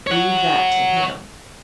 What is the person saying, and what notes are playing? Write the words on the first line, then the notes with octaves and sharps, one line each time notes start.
"Leave that to him."
C#5 F#5